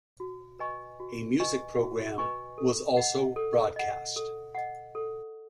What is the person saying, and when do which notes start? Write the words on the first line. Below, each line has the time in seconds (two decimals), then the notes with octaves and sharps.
A music programme was also broadcast.
0.20 F#4
0.59 B4 D#5 G#5 C#6
1.00 F#4
1.40 B4 D#5 G#5 C#6
1.79 F#4
2.18 B4 D#5 G#5 C#6
2.58 A4
2.97 D#5 F#5
3.36 A4
3.76 D#5 F#5
4.16 A4
4.55 D#5 F#5
4.95 A4